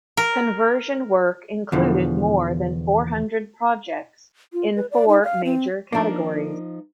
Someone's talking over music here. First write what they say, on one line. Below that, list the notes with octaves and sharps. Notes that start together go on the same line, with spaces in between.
Conversion work included more than four hundred projects in four major categories.
A#4
E2 B2 D3 E3 F3
F4
B4
D5
D#4
F5
C4
F3 A#3 D4 D#4 A#4